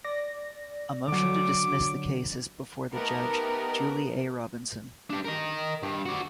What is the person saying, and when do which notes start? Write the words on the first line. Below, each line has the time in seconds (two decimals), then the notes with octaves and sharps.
A motion to dismiss the case is before the judge, Julie A. Robinson.
0.04 D5 A#6
1.08 D3 F#3 D6
2.93 A3 B3 D#4 G4 A#4
5.10 D4 G4
5.25 A#4 D#5
5.83 G2
6.06 F#4 D5